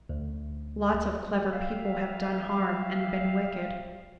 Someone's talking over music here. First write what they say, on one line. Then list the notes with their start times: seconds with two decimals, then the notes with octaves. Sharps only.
Lots of clever people have done harm and been wicked.
0.09 D2
1.53 G4 E5 F5